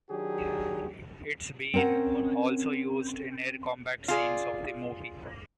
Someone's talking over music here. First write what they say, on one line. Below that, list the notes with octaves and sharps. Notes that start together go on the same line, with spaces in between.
It's been also used in Air combat scenes of the movie.
D#3 F#3 D4 G4 G#4
C4 C#4 A#4 F#5
F4 G#4 D5